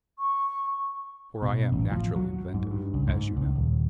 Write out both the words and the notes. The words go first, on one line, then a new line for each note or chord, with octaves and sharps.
For I am naturally inventive, as you know.
C#6
B2
A1
F3
F#3
G#2
G2
C#2
G#2
C#2
D#1